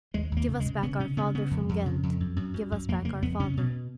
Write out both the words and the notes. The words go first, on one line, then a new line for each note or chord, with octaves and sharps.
"Give us back our father from Ghent, Give us back our father."
D#2 G#3
D#2
A#3
C#3
G#3
C#3
C#3 B3
C#3 C#4
C#3 B3
C#3 B3
F2
F2
C#3
F2
F#2
F#2
F#2
F#2
F2 A#3
C#3 A#3
F2 B3
C#3 C#4
B2